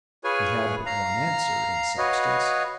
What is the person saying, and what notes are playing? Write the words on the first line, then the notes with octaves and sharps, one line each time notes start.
He had but one answer, in substance.
F4 G#4 B4 C#5 G#5
F5 A#5
F#4 B4 C#5 D#5 F5